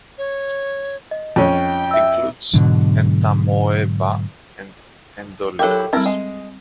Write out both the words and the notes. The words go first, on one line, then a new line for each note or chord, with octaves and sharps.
It includes "Entamoeba" and "Endolimax".
C#5
D#5
F2 C#4 G5
E5 E6
G#2 B2 D3 F#3
F#3 E4 G4 A4 A#4
A4
G3 C4 E4 A#4
G#3